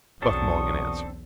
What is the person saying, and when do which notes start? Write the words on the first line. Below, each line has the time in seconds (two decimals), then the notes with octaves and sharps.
Buck Mulligan answered.
0.22 B1 E2 F#3 C4 D4 A4 C#6 D#6